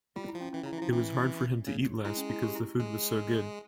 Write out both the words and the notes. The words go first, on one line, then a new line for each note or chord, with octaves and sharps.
It was hard for him to eat less because the food was so good.
G3 F4
E4
F3
C#4
E3 C#4
C#3 E4
E3
E4
F3
E3 C#4
C#3
G#3 E4
C#4
E4
G4
E4
G#3